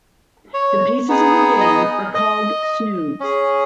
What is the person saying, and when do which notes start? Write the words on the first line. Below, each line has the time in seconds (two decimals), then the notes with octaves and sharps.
The pieces in the game are called "Snoods".
0.54 C#5
1.08 B3 D#4 G#4
1.61 D#5
2.14 D#5
3.20 C#4 G#4